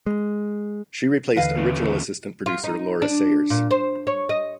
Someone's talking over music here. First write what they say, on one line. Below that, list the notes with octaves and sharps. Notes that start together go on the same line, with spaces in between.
She replaced original assistant producer Laura Sayers.
G#3
D#2 D3 E3 B4 D#5 F5
A#2 C#3 A3
F4
D#4
D4
A#2
C5
C#5
D#5